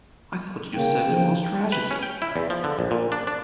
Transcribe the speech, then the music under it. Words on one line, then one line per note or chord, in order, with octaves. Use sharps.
I thought you said it was a tragedy.
C#3 A#3 G5
F3
B4
C#4
G5
E4
E2
F3
D3
A#1
A#2
D4
D4